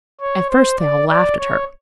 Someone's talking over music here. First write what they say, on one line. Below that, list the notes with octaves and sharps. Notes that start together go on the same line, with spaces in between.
At first they all laughed at her.
C#5
C5
D5
D5
C#5